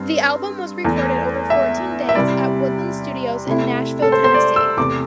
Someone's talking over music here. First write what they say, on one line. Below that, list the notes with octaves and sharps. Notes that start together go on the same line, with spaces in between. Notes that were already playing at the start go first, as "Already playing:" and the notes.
The album was recorded over fourteen days at Woodland Studios in Nashville, Tennessee.
Already playing: G2 C4
E2 E3 A3
E5
E5
C3 G3 E4 D5
C3 A3 E4
A4
C5
C5
D5
E6
E2 C3 A3 D6